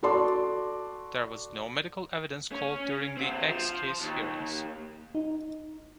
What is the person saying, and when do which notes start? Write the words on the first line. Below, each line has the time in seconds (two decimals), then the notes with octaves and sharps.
There was no medical evidence called during the X case hearings.
0.03 F#4 A4 D5 A5 C6 D6
2.52 C#4
3.17 D3 C4
3.50 F3
4.01 D#2
5.15 D#4